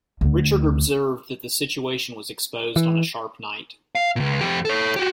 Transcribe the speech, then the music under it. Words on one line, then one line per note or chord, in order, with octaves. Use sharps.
Richard observed that the situation was exposed on a sharp night.
D2
E3
F5
C#2 A#2
F2 G4
A4 C#5
F#4 G4